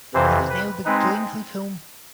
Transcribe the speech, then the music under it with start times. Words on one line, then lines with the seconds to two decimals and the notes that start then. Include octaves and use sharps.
It is now the Glencliff Home.
0.14 F2 C3 E3 C5
0.50 B4
0.85 G#3 C4 D#4 B4